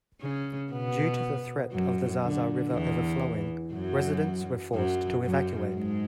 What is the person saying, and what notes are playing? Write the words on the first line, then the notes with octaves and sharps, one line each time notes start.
Due to the threat of the Zaza River overflowing, residents were forced to evacuate.
C#3 C#4
B2 B3
F#2 F#3
D3
E2 E3
F#2 F#3
F#2 F#3
F#2 F#3
G#2 G#3